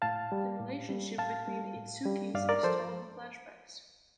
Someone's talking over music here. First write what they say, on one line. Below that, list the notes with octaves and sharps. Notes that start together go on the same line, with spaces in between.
The relationship between the Itsuki-s is told in flashbacks.
A2 F5 A5
G3
A2
G3
A2 F5 A5
G3
A2
G3
G2 D5 F5
A#4 D5
F3 A4 C5